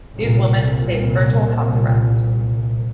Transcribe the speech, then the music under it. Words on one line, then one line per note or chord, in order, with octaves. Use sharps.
These women faced virtual house arrest.
C2 A#2